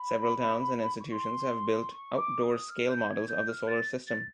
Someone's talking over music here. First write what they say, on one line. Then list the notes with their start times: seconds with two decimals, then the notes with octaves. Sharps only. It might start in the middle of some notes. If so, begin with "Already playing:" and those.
Several towns and institutions have built outdoor scale models of the Solar System.
Already playing: B5
1.00 C#6
1.12 C6
1.91 C#6
2.17 D6
2.43 D#6
2.69 F6
2.89 G6
3.08 G#6
3.28 G6
3.48 F6
3.67 A6
4.07 A6